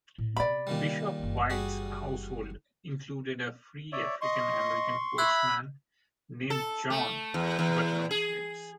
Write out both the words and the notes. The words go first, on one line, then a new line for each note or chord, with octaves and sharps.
Bishop White's household included a free African American coachman, named John, but no slaves.
A2
C3 B3 D5 B5
A#2 D#3 G3
F#1 E3
G3 F#4 G#4
C#5 D5 E5
D#5 C6 C#6
E5 B5 E6 F#6 G#6
A4
A3
E2
E2
G#4